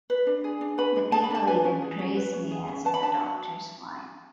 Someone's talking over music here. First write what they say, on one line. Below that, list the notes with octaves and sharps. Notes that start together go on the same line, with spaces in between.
The people even praise me as the doctor's wife.
B4
D4
G#4
D4
B4 B5
D4
G#4 A5
B5
D4 A5
B4 G#5
C#4
G#4
C#4
B4
C#4
G#4
C#4
B4 A5
B5
D4 A5
F#4